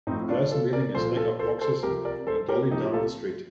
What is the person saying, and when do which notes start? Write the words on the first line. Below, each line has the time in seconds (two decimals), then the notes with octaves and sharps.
A person wheeling a stack of boxes on a dolly down a street.
0.07 A2 C4 D#4
0.11 F3
0.29 D4 F4
0.51 F4 A4
0.73 A#4 D5
0.95 A#2 F3 A4 C5
1.17 F4 A4
1.39 A4 C5
1.61 A4 C5
1.83 C3 F3 G4 A#4
2.05 A#4 D5
2.27 A4 C5
2.48 G4 A#4
2.71 C3 F3 D#4 G4
2.93 F4 A4